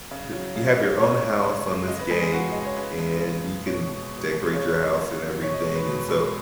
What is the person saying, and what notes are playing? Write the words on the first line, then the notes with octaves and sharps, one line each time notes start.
th you have your own house on this game, and you can decorate your house and everything, and so,
C#3
F#3
C#3
F#3
C#3 C#5
G#3
C#3
G#3
C#3 D#5
B4
G#3 G#4
G#4
C#3 F#4
G#3 D#5
C#5
C#3 B4
G#3
C#3
G#3
B2 C#5
G#3
B2
G#3
C#3 C#5
F#3
C#3
F#3
B2 C#5
D#5
G#3
B4
B2
G#3